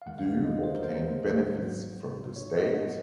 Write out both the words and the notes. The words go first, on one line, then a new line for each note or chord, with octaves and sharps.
Do you obtain benefits from the state?
F5
D#2 D#3 G#3 F#5
F5
F#5
D#5
C5
A#4
C5
G#1 G#2 F#3
C#5
D#5
F#5